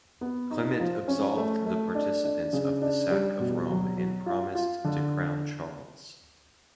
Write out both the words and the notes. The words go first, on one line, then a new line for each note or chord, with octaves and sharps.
Clement absolved the participants of the sack of Rome and promised to crown Charles.
B3
D#4
F3
C#4
A3
A3
D4
D4
C#3
D4
G3
B2
F#3
F#3
F4
F4
D3